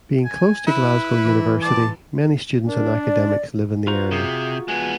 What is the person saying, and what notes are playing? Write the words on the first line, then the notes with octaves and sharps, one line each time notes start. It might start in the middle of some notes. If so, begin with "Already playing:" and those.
Being close to Glasgow University many students and academics live in the area.
G#5
E4 B4
E3
C4 D5 A5 D6
D4 A#4
D5
F4 F#4 C5 A#5
C3 G#4
G#3 B3 G#5